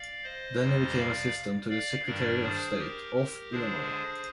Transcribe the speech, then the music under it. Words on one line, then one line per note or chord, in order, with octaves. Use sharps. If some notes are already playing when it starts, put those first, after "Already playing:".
Then he became assistant to the secretary of state of Illinois.
Already playing: D5 F5
C5 D#5
F2 C3 G3 C5 D#5
D5 F5
D5 F5
G2 D#3 G3 D4 A#4 D5
G#4 C5
G4 A#4
G4 A#4
D3 G#3 D4 G#4 C5